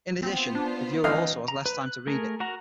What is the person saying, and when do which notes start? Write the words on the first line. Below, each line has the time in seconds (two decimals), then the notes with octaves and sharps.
In addition, the viewer also has less time to read it.
0.23 B3 C4 F4 C5
0.55 D4
1.04 C#2 E3 D#4 F5
1.48 A#5
1.66 B4
1.82 F#6
2.07 A3 G#4 A#4
2.40 F#4 A#4 F#5 A#5